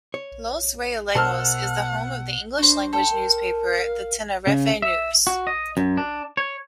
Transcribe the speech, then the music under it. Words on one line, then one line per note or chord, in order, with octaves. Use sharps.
Los Realejos is the home of English language newspaper the Tenerife News.
C#5
B2 A#4 C5 F#5 A5 E6 F6
D4 F#4 C5
A4 C5 G5
A#4
F5
C#3
E5
F#4
D#5
F#2
D4
C#5